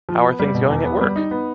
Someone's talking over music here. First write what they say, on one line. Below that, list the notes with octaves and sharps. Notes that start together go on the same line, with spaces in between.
How are things going at work?
F3
B3
G3
B2
E2
B3
G3
D#4
B3